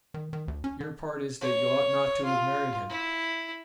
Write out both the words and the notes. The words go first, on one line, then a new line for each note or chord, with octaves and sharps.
Your part is that you ought not to have married him.
D#3
D#3
D2
C#4
D3
C#5
F4
E4